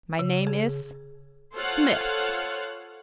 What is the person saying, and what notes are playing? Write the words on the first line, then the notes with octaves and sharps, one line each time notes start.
"My name is--Smith."
C#3
G#4
F4 A4 C5 C#5 F5 F#5